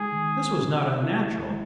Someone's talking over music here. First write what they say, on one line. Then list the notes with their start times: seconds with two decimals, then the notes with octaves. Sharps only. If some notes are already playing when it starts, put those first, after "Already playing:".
This was not unnatural.
Already playing: G#3 D#4 G#4
0.12 D#3
0.58 C#4
1.02 E4
1.48 G#3